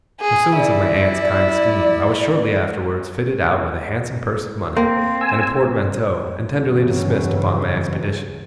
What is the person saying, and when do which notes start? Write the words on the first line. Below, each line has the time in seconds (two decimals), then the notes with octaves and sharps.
In pursuance of my aunt's kind scheme, I was shortly afterwards fitted out with a handsome purse of money, and a portmanteau, and tenderly dismissed upon my expedition.
0.21 G#4
0.56 E4 D5
4.77 A#3 C4
5.21 G#5 E6
6.63 G2 C#3 E3 F#3